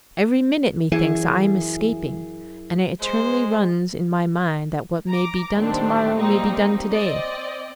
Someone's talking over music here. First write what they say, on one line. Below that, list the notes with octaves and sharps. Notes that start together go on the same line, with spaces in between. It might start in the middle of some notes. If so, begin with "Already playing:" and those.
Every minute, methinks, I am escaping, and it eternally runs in my mind, that what may be done to-morrow, may be done to-day.
F#2 E3 E4 G#4
G#3 C5
A#5 D6
A#2 D#3 G3 C4 D4
G3 A#3 C4 D#4
C4 D5 D#5